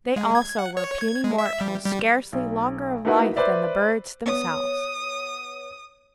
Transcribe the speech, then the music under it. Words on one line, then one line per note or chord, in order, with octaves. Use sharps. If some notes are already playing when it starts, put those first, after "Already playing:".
They also were puny mortals, scarcely longer of life than the birds themselves.
G#3
G#6
F#5
C#5
G#6
G#3
E5
G3
G3
B1
A3 A#3 D#4 E4 F#4 B4
B4 C5 D5 E5
B3 C#5 D#6